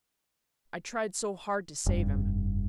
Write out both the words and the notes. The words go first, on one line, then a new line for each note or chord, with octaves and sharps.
"I tried so hard to save him."
F1 G2